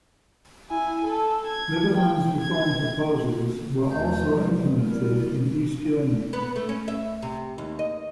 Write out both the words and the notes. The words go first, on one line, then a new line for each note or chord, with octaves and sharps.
Liberman's reform proposals were also implemented in East Germany.
E4 G#5
A4
G#6
G5
G#6
E2 A3 G6
C3 E3 F3 G3 G#3
G3 E4 A#4
B3
A3
C#4
E5
C3
D#2
D#5